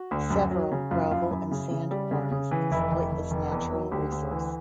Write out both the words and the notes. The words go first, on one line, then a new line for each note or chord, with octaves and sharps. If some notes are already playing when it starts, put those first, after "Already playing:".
Several gravel and sand quarries exploit this natural resource.
Already playing: F#4
D2
F#2
F#3
C#3
F#2 F4
F#2 F4
E4
F#2
C#3
C#3
G3
C#3
C#3
E3
F1 E4
F1
F1
F1
E2
F#3
D2 G4
D2
E3